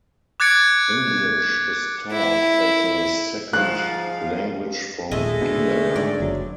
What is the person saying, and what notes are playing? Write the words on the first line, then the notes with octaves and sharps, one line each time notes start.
English is taught as a second language from kindergarten.
D6 F#6 G#6 A6 C#7 D7
E4
G#2 F3 F5 F#6
D#1 G#1 G#3 A3 D#5
B2 D3
G#2 D5
F#1 F#3